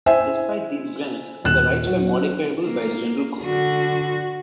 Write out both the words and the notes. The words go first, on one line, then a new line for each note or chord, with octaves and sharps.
Despite these grants, the rights were modifiable by the General Court.
E4 C5 E5 G#5
D#1 F#6 E7
F#3
A#3
D3 F#4